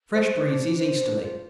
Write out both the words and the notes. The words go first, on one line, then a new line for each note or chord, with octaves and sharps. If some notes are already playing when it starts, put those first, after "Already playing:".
Fresh breezes easterly.
C5
D4
D4
C5
D4
F4